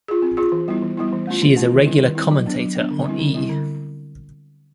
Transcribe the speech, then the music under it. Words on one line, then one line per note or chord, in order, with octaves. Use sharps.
She is a regular commentator on E!
F4 G#4
C4
F4 G#4
E3
G3 B3 E4
E3
G3 B3 E4
E3
A3 C#4 F4
E3
A3 C#4 F4
D#3
G3 C4 E4
D#3
G3 C4 E4
F#3
B3 D4
F#3
B3 D4
D3
G3 C4 E4
D3
G3 C4 E4
D3